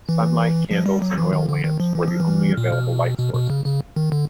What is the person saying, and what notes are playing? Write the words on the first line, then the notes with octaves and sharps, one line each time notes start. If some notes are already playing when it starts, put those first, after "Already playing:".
Sunlight, candles and oil lamps were the only available light sources.
E3
F3
G3
F#3
E3
D#3
D3
D#3
F3
E3
F3
E3
A#2
B2
B2
B2
C#3
C#3
D#3
D3